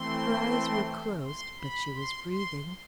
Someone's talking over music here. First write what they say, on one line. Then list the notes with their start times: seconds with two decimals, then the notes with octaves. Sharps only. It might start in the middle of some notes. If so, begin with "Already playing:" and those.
Her eyes were closed, but she was breathing.
Already playing: E3 A3 C4 C6
1.24 C6
1.58 B5
1.94 C6
2.31 C6